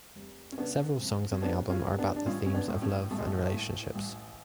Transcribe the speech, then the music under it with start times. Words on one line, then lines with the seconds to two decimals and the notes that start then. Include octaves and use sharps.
Several songs on the album are about the themes of love and relationships.
0.15 F1
0.52 C#4
0.58 C#3 B3 D4
1.00 F2
1.31 C#4
1.42 F1 B3 D4
1.70 C#4 F4
1.85 F1
1.99 B3 D4
2.16 D4
2.26 A1 C#4 F4
2.46 C#4
2.54 B3 D4
2.68 A2
2.82 A3 C#4
3.11 A1 A3
3.18 G#3
3.27 A3
3.53 A2
3.95 A1